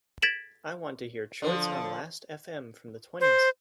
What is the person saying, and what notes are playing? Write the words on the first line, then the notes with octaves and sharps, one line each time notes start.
I want to hear Choice on Last Fm from the twenties.
G#6 A6 B6 D7 E7 F#7
D3 F3
C5